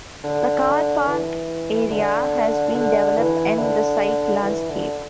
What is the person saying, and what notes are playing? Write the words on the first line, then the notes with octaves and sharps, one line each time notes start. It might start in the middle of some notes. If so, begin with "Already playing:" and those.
The car park area has been developed, and the site landscaped.
D3
E3
D3
D3
E3
D3
E3
D3